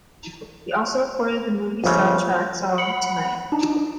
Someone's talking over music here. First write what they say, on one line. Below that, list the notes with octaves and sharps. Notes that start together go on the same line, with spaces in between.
He also recorded the movie's soundtrack song - Tonight.
G1 C#3 F3
F#5 B5
D4 D#4